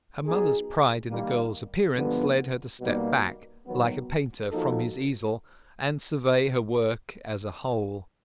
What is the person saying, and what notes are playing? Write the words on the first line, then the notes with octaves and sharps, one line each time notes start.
Her mother's pride in the girl's appearance led her to step back, like a painter from his easel, and survey her work as a whole.
F#3 B3 D#4 G#4
D#3 G3 A#3
G2 D3 F3 G#3 B3
B2 G3 A#3 D#4
D#3 F#3 B3
F3 A#3 D#4 F#4 A4